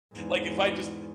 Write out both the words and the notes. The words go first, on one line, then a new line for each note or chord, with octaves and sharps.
Like, if I just
E2 G#2